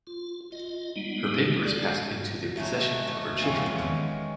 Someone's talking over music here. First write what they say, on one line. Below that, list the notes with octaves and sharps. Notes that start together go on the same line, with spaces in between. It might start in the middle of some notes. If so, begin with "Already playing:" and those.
Her papers passed into the possession of her children.
F4
F4 D#5
G3 G#3 B3 D#4
G#3 D4 A4 D5
F#3 G#3 A3
A3
F2 G#3 C#4 F4
E2 B3
D#3 G#3 C#4